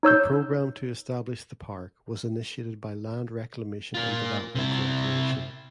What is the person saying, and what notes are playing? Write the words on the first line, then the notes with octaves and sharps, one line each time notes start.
The program to establish the park was initiated by Land Reclamation and Development Cooperation.
D#4 C#5 E6 G6
A#3 F4
C3 E4